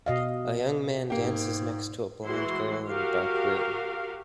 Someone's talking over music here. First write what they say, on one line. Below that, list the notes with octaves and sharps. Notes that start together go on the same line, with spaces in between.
A young man dances next to a blond girl in a dark room.
B2 D#5 F5
G#2 A#3 G4
E3 G#3 E4 F#4 C6
F#4 G4 A#4 F5